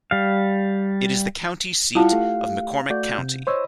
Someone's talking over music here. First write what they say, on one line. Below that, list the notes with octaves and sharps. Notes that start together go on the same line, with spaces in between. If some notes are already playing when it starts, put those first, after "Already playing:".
It is the county seat of McCormick County.
G3 F5
G3 E4 F4 F5 F#5 A5
A3 G4
A3 F#4 D5 G6
C3
E4 C5 C#5 D#5 E6